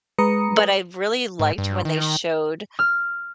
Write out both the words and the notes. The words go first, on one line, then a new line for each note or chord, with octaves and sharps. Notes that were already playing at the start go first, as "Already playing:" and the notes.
but I really liked when they showed
G#3 B4 A#5 D#6 C#7
G#2
G2
D#3
F6